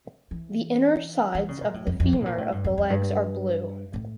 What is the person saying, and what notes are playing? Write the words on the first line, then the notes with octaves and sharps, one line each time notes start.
The inner sides of the femur of the legs are blue.
E3
E3
C#3
A#2
A2
F2
F2
D3
A2
A#2
A2
G2
F2
F2
G2
A2